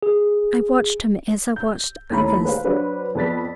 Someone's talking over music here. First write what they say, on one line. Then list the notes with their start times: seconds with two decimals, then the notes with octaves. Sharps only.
I watched him as I watched others.
0.03 G#4
1.56 G6
2.10 D#2 E3 A3 C#4 A#5 B5
2.45 B4 C5 F5
2.64 F#3 D4 B4 C5
3.15 F2 B3 B4 D5 A6 B6